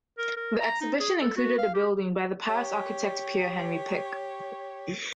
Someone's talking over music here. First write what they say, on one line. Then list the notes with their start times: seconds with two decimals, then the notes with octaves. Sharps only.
The Exhibition included a building by the Paris architect Pierre-Henri Picq.
0.18 A#4
0.36 A#4
0.60 A#5
0.81 D#4
1.00 G#4
1.21 A4
1.36 F#4
1.58 F5
1.74 G4
2.49 G4 C#5